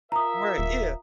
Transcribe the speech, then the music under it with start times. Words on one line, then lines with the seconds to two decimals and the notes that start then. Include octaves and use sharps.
Right, yeah.
0.12 F4 A#4 E5 A#5 D#6
0.58 D#1